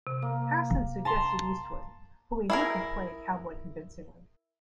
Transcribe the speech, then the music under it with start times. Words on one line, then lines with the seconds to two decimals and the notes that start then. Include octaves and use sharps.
Harrison suggested Eastwood, who he knew could play a cowboy convincingly.
0.07 C3
0.22 A#3
1.05 A5 A#5 C6
2.50 E4 G#4 A#4